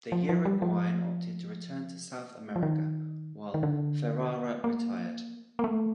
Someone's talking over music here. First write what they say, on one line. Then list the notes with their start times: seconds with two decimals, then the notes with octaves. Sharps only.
The Uruguayan opted to return to South America, while Ferrara retired.
0.12 F3
0.29 F3
0.45 G3
0.62 F3
2.56 F3
2.63 D#3
3.54 D#3
3.63 D3
4.64 A#3
5.59 A#3
5.64 A3